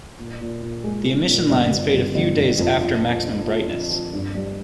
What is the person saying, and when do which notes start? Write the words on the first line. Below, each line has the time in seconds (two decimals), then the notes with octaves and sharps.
The emission lines fade a few days after maximum brightness.
0.19 A#2
0.41 A#2
0.62 A#2
0.84 G#3
1.06 G#3
1.28 A#2
1.50 G1
1.71 G1
1.94 G1
2.15 G1
2.37 G1
2.59 F2
2.81 F4
3.03 A#2
3.25 F4
3.46 F4
3.68 F3
3.90 F4
4.13 G2
4.34 G3